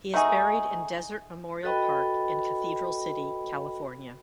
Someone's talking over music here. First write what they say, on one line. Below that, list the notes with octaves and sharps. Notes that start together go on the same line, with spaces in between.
He is buried in Desert Memorial Park in Cathedral City, California.
A3 D#4 F#4 G#4
F#4 A4 B4 D#5 G5 B5